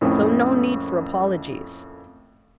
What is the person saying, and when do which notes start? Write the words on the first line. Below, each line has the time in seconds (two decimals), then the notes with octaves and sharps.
"So no need for apologies."
0.01 F2 A2 A#3 C4 C#4 E4